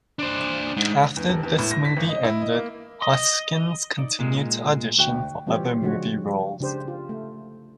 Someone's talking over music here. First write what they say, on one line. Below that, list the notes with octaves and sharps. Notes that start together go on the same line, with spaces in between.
After this movie ended, Hoskins continued to audition for other movie roles.
D4 C5
G#2
E2
D#1
E2
A2
A#6
B6
G#1
D#5
E4
D#5
A#3
D#5
D#4 D5
A#2 G#3
D2 F#4 G5
E3 G3 C4 F4 G4 C#5
C#3 F3 G#3 D4 F#4 C#5
C#3 D4 G4 C5
F4
A3